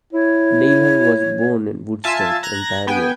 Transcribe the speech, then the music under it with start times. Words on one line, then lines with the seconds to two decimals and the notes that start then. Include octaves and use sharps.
Naylor was born in Woodstock, Ontario.
0.13 E4 C#5
2.04 F4 E5 G#5 A5
2.43 A#5 F#6 G#6 A#6
2.87 B3 G5 G#5